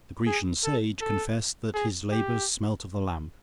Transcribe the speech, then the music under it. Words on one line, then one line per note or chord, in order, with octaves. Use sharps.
The Grecian sage confessed that his labours smelt of the lamp.
G#4
A4
A4
G#4
G4